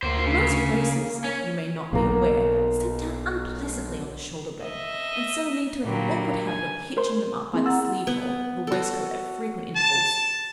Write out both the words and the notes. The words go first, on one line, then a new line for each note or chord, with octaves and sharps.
But most braces, you may not be aware, slip down unpleasantly on the shoulder-blade, and so lead to an awkward habit of hitching them up by the sleeve-hole of the waistcoat at frequent intervals.
D2 A#3 C5
C#3
A#3
C#4
B1 A#3 A#4
D#5 E5
A#2 D3 F#3 G3 A#3
G#5
A#4 C5 C6
A#3 C4 E4 G#4
F#5 A#5 E6 A6
B3
F#4 A4
A5